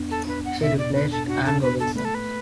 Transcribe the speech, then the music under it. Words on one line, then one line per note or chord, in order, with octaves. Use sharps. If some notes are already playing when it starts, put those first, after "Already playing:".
She replaced Anne Robinson.
Already playing: E2 B3 D4
A4
D4 B4
F#5
B2 E5
D5
D4 B4
A4
D4 F#4
A4
B3 B4
A4
A3 B4
A4
B4